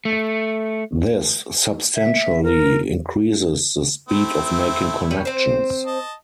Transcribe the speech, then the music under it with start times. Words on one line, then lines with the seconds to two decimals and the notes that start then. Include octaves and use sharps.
This substantially increases the speed of making connections.
0.05 A3
1.96 E5
2.43 A#4
4.09 A3 C4 E4
5.11 G3 C#4 B4
5.25 C4 C5
5.86 D#5 A5